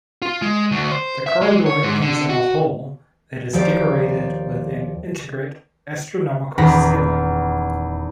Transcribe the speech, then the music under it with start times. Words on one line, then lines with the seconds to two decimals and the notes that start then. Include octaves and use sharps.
The corridor ends in a hall that is decorated with an intricate astronomical ceiling.
0.22 F4
0.42 G#3
0.71 D2
0.91 C5
1.27 E5
1.42 G#3
1.66 C#5
1.83 G#2
2.02 D3
2.30 F#4
3.53 D#2 F3 G4 D5
6.58 D#1 E2 D#4 A#5 B5 A#6